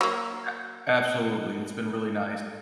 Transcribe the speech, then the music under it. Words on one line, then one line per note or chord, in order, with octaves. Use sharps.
A absolutely, it's been really nice.
F#3 A#3